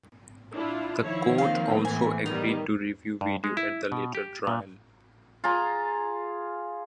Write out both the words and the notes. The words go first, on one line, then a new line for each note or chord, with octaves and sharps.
The court also agreed to review video at the later trial.
D4 E4 F4
D#3 F3 E4 C#5
A#3 C4 F5
A2 E3 G#5
D#3 G3 B3 D#4 D#5
G2
G#3
E4
B2
G4
A#2
F4 G#4 A#5